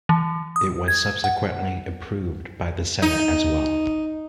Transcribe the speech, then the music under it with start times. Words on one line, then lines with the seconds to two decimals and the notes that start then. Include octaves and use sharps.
It was subsequently approved by the Senate as well.
0.09 E3
0.56 D#6
0.88 G#6
1.24 F#5
3.02 D#4